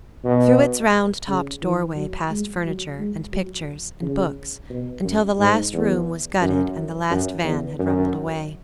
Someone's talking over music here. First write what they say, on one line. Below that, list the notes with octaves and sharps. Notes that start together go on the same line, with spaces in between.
Through its round-topped doorway passed furniture, and pictures, and books, until the last room was gutted and the last van had rumbled away.
B2
C#3
E3
F#3
G#3
F#3
G#3
F#3
C#3
B2
F#2
G#2
E2
F#2
F#2
E2
F#2